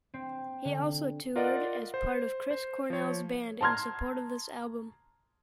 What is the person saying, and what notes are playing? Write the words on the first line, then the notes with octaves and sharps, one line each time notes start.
He also toured as part of Chris Cornell's band in support of this album.
C4
D3
F4 A#4 D5 D#5 F#5
C5
C5
F3 C#5
A5 A#5 C6 F6 G#6